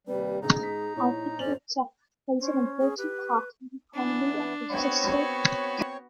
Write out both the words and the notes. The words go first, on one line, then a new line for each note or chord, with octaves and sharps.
Agriculture plays an important part in the economy of Rochester.
D#2 C3 G3 B4
E1 A1 D2 D#4 G#4 A#5
G#2 B6
A#1 E4 C#5
G#1 F2 C#4 C5 D5 F7 F#7
C#4 C5
G#4
G4 B4
E3 B3 D4
B3 C4 F#4 C#5